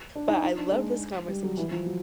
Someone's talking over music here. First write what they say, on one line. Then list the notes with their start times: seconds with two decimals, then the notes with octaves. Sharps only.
but I love this conversation.
0.15 D4
0.29 D#4
0.43 D#4
0.58 D4
0.72 G#3
1.28 G3
1.43 F#3
1.57 E3
1.71 F3
1.86 F#3